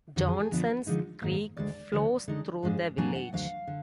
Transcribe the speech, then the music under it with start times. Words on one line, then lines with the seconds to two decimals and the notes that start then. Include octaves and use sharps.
Johnson's Creek flows through the village.
0.16 F2 D3 F#3 F#4
0.27 G#4
0.39 G#4
0.51 D3 F3 B3 D4
0.87 D3 F3 G#3 D#4
1.22 G#2 D#3 A#3
1.57 D2 D3 G#3 D5
1.92 D2 D3 F#3
2.28 D3 G#3 D#4
2.63 G#2 F3 G#3 D4
2.98 A#2 F#3 A#3 D4 G#5
3.16 F#5
3.33 D2 D3 F#3 F5
3.67 D3